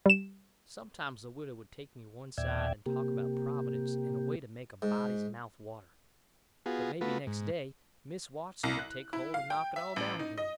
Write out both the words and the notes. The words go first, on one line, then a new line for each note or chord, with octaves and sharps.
Sometimes the widow would take me one side and talk about Providence in a way to make a body's mouth water; but maybe next day Miss Watson would take hold and knock it all down again.
G3 E7
D#2 A#2 D5 E5 G5 G#6
C3 A#3 G4
G#2
B3 F4 F#4 G#4
A3 B3 F4 F#4 B4
G#2
C2
F#6
E4
F5
G5
E5
A1
D#4
D#5